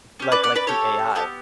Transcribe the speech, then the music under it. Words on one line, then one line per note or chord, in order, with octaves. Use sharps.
Like like, through AI.
C#4 G4
B4 D5
D5 F#5
B4 D5
C#4 G4 A4 C#5
B3 E4 G4 A4